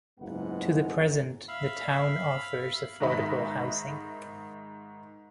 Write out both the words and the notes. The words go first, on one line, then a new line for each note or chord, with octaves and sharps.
To the present, the town offers affordable housing.
F#1 C#2 G#2 B3 F#5
E5 F5 B5
G#2 D#3 D#5 E5 B5